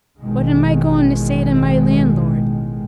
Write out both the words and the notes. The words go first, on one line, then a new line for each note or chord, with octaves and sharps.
What am I goin' to say to my landlord?
A1 B2 D#3 G#3